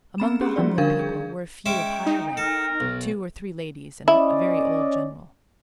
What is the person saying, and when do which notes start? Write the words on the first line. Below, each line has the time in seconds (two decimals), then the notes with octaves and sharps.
Among the humbler people were a few of higher rank--two or three ladies and a very old general.
0.18 B3 C4 B5 E7
0.41 C#4 G4 G#4
0.56 F3 G3 C#4 F4 F#4 D5
0.78 D3 D4 A#4 F5 G#6
0.99 G#4
1.66 G#3 C#4 E5 G5 D7
2.07 D#4
2.37 A4 A#4
2.80 B1
4.08 C#4 E4 D5 D#5